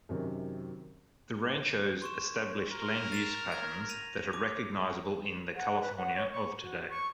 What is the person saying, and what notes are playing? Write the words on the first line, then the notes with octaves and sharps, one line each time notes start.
The ranchos established land-use patterns that are recognizable in the California of today.
F#2 C3 D#3
C6 C#6 E7
A#4
A6 E7 F7
G#6
A#6 D#7 F7
D6
F#5
B4
F#5
C#5
C#6
F#4
C#6